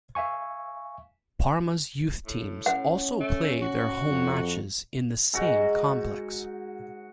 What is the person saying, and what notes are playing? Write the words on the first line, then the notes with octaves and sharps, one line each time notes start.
Parma's youth teams also play their home matches in the same complex.
E5 F5 G#5 C#6
A2
C#4 F#5
A3
F#4
F2
G#2 F#4